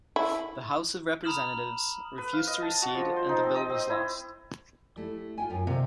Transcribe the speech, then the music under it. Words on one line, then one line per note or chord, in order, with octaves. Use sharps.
The House of Representatives refused to recede and the bill was lost.
E4
A#5 B5 D#6 F6 E7 F#7
B4
F5
D#5
A5
F#4
F3
C5
D#4
C4
D#5
C4
E4
G3 A3 E4
F4 G5 G#5
F#2 F4
C3 D#3 F5 G#5